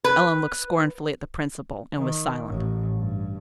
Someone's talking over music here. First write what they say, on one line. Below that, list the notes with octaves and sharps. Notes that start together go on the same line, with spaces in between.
Eleanor looked scornfully at the principal, and was silent.
B4
D#3
A1 A2
G2